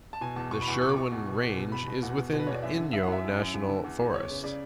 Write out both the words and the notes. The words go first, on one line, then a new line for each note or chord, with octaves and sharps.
The Sherwin Range is within Inyo National Forest.
A5
B2 G#5
E2 A5
B2 C#6
B5
E2 C#6
B2 C#6
D6
B2 C#6
E2
B2
E2
B2
B2 B5
B2
E2 F#5
B2
B2
B4
E2 C#5
D5
F#2 E5
D3
F#2 E5
F#5
F#2 E5
F#2
F#2
F#2
D3
E2
E2
E2 C#5
C#3
C#3 D5